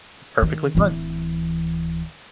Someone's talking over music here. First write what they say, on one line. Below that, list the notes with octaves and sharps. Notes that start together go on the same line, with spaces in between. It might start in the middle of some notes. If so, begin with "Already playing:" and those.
Perfectly fine.
D#3
D1 E3